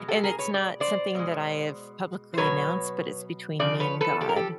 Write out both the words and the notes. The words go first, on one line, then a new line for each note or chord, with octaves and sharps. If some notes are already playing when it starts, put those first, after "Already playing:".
and it's not something that I have publicly announced, but it's between me and God.
Already playing: B2 G#3
G4 A4
G#4 A#4
B4 C#5
D5
C5 D5
B2 G#3
C5
B2 F#3 A3 B4 C#5
C#3 F3 D5
B4 C#5
A4 B4
G4 A4
A#4
G4 A4